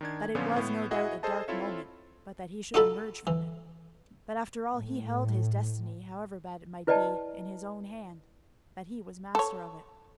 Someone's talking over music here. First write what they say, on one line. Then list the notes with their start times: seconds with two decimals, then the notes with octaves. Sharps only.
That it was, no doubt, a dark moment, but that he should emerge from it; that, after all, he held his destiny, however bad it might be, in his own hand; that he was master of it.
0.01 D#3 D4 G#6
0.35 A#2 D3 F3 B3 C#4 F4
0.56 A2 B3
0.91 E4 F#4 G#4 D#5 E5 F#5
1.23 G#4 A4 C5 D#5 A5
1.48 C4 E4 F4 A4 C#5 E5
2.74 D#4 F4 F#4 A4 A5 B5
3.27 E3
4.77 A2
6.87 E4 B4 D5 D#5 G5 A5
9.35 A4 C#5